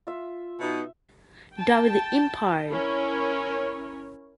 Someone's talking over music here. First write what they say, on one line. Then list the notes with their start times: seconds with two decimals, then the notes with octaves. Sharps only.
Down with the Empire!
0.07 F4 E5
0.61 B2 D#4 E5
1.56 G5 A5
2.70 C#4 E4 A#4 C#5